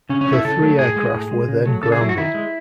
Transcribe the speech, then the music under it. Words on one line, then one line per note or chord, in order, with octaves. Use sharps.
The three aircraft were then grounded.
C#3 C#4
C#4
F#3
A3 E4
C#3 A4
F#3 A3
A2 G#4
G#3
A2
G#3
C#3
F#3 A3
C#3 A4
G#4
F#3 A3 E4
F#4
D#3 E4
G#3